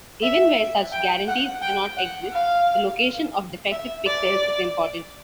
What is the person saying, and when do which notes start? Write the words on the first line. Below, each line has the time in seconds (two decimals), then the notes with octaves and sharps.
Even where such guarantees do not exist, the location of defective pixels is important.
0.22 E5
0.92 G5
1.27 F#5
1.61 G5
1.97 F#5
2.32 F5
3.71 E5
4.06 D5